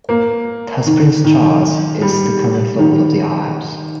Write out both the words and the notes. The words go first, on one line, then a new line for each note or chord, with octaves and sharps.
Thus Prince Charles is the current Lord of the Isles.
A#3
D#3
D#3
G3
D#3